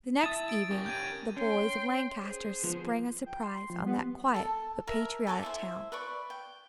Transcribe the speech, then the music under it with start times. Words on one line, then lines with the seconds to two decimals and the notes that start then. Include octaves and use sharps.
The next evening the boys of Lancaster sprang a surprise on that quiet but patriotic town.
0.23 E4 A5 D#6 A6
0.49 D7
0.70 C#4 G4 A#4
0.86 G6 G#6 D#7
1.37 C#4 G5 C6
2.22 G#4 C5
2.64 F3 B3
3.26 G5
3.42 C6
3.70 F3
3.86 G3 B3
4.34 A4 A5
4.87 A#4 E5
5.27 A4 G#5 A#5 D6
5.43 E4 C5 E5
5.92 B4 D5 B5 C#6
6.30 G5